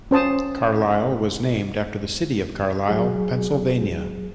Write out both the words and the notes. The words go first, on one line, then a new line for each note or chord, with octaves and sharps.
Carlisle was named after the city of Carlisle, Pennsylvania.
C#4 C5 A5 D#6
F#3 G#4